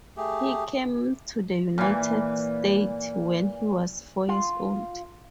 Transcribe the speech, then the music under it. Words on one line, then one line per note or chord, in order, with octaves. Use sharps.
He came to the United States when he was four years old.
A3 G4 G#4
A#2 E3
F4